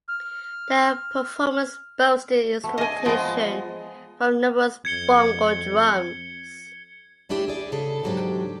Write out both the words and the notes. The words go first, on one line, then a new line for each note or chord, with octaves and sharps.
The performance boasted instrumentation from numerous bongo drums.
F6
A3 B3
G#4 D5 D#5 G#5
F3 G#3 B3 D#5
F2 G#6 C#7 G7
A3 C#4 D4 E4 G4 G#4
G#4 D5
C#3 G#4 A4
E2 G#2 F#3 D4 G4 D5